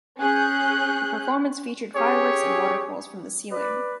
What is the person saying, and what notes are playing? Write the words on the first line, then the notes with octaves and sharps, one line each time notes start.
The performance featured fireworks and waterfalls from the ceiling.
C#4 G#4 F#6 G6
C#4 G4 G#4 C#5
B4 D5